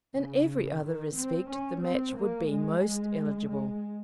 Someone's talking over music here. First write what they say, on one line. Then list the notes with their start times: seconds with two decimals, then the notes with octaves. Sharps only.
In every other respect the match would be most eligible.
0.15 C#3
0.82 D#3
1.15 C4
1.48 C#4
1.82 C4
2.16 A#3
2.49 G#3
3.50 G#3